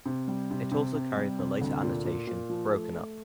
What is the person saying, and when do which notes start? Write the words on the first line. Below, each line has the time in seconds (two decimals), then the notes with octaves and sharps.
It also carried the later annotation "Broken up".
0.06 C3
0.28 G3
0.51 C3
0.72 C3
0.94 C3
1.17 G3
1.39 C3
1.61 D2
1.83 A#2
2.05 A#2
2.27 A#2
2.50 F3
2.71 A3
2.93 A3